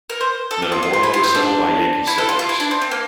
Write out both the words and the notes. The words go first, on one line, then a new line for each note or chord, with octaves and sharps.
Metamora was settled by Yankee settlers.
A#4
C5
A4
G4
F4
F4
F4
E4
F4
C4
D4
E4
A4
F4
F4
E4
D4
C4
C4
A#3